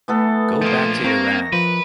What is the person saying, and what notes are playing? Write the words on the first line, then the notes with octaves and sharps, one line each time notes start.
Go back to Iran!
E3 A3 B3 A4
F3 A#3 D#5 C6
A#3 C4 A#4 C#6 A#6
F3 B4